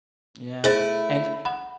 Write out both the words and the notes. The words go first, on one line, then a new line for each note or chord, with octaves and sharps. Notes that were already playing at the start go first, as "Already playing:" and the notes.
Yeah, and,
A3 E4 G#4 C5 A6
F#5 B5